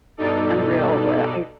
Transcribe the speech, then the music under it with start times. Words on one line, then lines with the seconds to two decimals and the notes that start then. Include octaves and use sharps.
unreal, where I
0.17 G2 B2 D#4 A4 D5